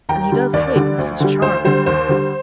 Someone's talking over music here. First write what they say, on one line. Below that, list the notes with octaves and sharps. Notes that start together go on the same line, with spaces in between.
And he does hate Mrs. Charley.
D#2 G5 A#5
D3 G3
D#2 D5
D3 G3
D2
D3 G3
D2 C5
D3 G3 C5
D#2 C5
D3 G3